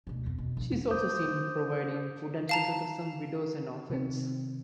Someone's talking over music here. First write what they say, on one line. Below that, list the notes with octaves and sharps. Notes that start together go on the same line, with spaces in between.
She is also seen providing food and shelter to some widows and orphans.
D2 B2
F2 B3
B2
D3 F3
E2 G#3
C5 D6 D#6 G6
F5 A5 A#5
C3 D#3 C4